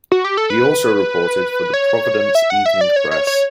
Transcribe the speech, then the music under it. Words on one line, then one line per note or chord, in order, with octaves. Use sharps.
He also reported for the "Providence Evening Press".
F#4
G4
A4
B4
C#5
E5
F#5
E5
D5
C#5
C#5
C#5